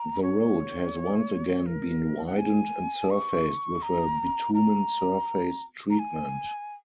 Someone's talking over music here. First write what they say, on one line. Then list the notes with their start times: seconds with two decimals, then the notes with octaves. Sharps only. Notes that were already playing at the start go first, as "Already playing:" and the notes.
The road has once again been widened and surfaced with a Bitumen Surface Treatment.
Already playing: A#5
0.22 C#5
1.66 A#4
2.26 F#5
2.38 G#5
3.10 C#6
3.82 A#5
4.54 A#5
5.90 A#5
5.99 G#5